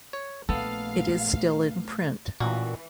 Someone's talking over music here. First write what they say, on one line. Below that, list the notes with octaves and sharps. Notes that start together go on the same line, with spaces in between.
It is still in print.
C#5
A#1 A3 B3 A4 F5
A1 A#2 E3 F#4